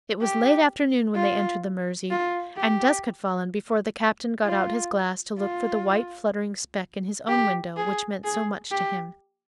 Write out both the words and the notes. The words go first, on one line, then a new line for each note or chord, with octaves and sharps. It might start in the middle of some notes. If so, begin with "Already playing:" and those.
It was late afternoon when they entered the Mersey, and dusk had fallen before the Captain got out his glass to look for the white fluttering speck in his own window which meant so much to him.
G4
F4
F4
G4
F4
F4
G4
G#4
G#4
G4